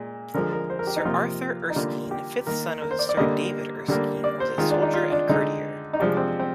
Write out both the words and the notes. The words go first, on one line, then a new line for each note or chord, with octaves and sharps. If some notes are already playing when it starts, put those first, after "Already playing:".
Sir Arthur Erskine, fifth son of Sir David Erskine, was a soldier and courtier.
Already playing: A#2 G#3
D3 F3 G#3 A#4
A#4
C5
A#4
G4
D#4
C3 F3 A#3 F4
D#4
D3 G3 A#3 F4
G4
D#3 A#3 A#4
A#4
C5
D5
D5
D3 G3 A#3 D#5
D3 G3 A#3
D5
C5
D#3 G#3 F4
D4
D#4
F4
D4
D3 G#3 D#4
D#4
C3 F3 G#3 D4
C4
C4